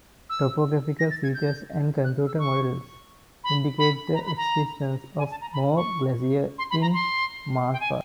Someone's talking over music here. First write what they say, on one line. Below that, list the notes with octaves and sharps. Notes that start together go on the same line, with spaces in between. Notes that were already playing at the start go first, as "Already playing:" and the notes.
Topographical features and computer models indicate the existence of more glaciers in Mars' past.
E6
A#6
A6
G#6
G6
F#6
E6
C#6
B5
B5
A#5
B5
A#5
G#5
A5
A#5
B5
C#6
C6
B5
A#5
C6
G5
G#5